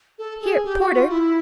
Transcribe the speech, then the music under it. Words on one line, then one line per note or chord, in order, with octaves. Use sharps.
Here, porter!
A4
G#4
G4
F#4
F4
E4